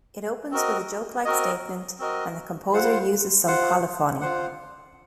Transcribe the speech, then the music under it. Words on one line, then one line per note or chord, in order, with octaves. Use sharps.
It opens with a joke-like statement, and the composer uses some polyphony.
C4 F#4 A#4 D#5
C4 F#4 A#4 D#5
C4 F#4 A#4 D#5
F4 C5 F#5
F4 C5 F#5
F4 C5 F#5